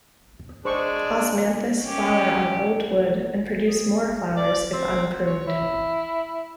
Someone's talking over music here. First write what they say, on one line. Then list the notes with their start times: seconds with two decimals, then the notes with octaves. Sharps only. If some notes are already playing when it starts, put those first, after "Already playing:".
"Osmanthus" flower on old wood and produce more flowers if unpruned.
0.65 G#3 D4 C5 C#6
1.83 C#4 G4
3.68 G#4
4.37 D5
4.73 C4
5.27 C#5
5.47 E4